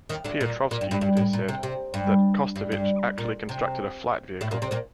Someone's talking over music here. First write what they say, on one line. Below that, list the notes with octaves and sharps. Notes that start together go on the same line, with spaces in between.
Piotrovski it is said, that Kostović actually constructed a flight vehicle.
D#2 D#3
D2 D3
A#2
A#2
G2
G2
G2
A2
A#2
C3
C3
G2
G2
G2
A#2
C3
A2 A3
A#2 A#3
C3 C4
A#2 A#3